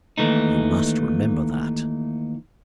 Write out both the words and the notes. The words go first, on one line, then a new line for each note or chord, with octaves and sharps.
You must remember that....
D#2 E3 A3 D#4